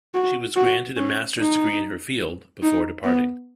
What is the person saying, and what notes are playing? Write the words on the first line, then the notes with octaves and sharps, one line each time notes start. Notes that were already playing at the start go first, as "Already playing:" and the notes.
She was granted a master's degree in her field, before departing.
F#4
F#4
C#4
D#4
D#4
B3